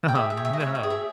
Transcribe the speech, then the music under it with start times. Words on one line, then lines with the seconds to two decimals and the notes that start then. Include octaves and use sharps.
Oh, no.
0.08 G5
0.15 G#4 E5
0.30 E5
0.37 C#5
0.45 E5
0.53 D#5
0.60 C#5 E5
0.75 G5
0.83 G#4
0.90 E5